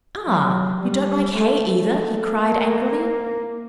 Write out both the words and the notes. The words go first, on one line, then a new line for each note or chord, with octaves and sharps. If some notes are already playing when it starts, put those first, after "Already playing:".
"Ah, you don't like hay either?" he cried angrily.
F#3
G3
A3
A3
A#3